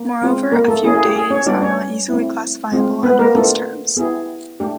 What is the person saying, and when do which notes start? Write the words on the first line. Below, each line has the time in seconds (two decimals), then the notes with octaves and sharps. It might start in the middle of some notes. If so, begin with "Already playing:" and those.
Moreover, a few deities are not easily classifiable under these terms.
Already playing: A#3
0.22 G#3 C4 F4
0.52 A#3 A#4
0.68 A3 A4
0.83 A#3 C#4 E4 G#4
0.95 G#4
1.05 G4
1.16 G#4
1.30 C#4 C#5
1.46 G3 B3 D4 D#4 F#4 D5
1.62 C#4 C#5
2.09 A3 C4 E4
2.72 G#3 C4 F4
3.03 B3 B4
3.19 A#3 A#4
3.34 A3 B3 D4 F4 A4
3.97 B3 E4 G4 G#4
4.60 A3 D4 G4